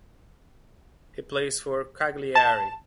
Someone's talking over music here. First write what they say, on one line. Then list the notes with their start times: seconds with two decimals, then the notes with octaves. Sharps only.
He plays for Cagliari.
2.35 A5